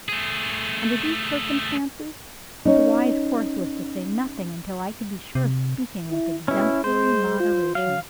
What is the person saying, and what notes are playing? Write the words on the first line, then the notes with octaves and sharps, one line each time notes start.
Under these circumstances, the wise course was to say nothing, until I could be sure of speaking with exemplary moderation.
A3 G#4
C#4 D#4
C3
E4
B2 C#4 E4
G#3 C5
F4
F#3 F5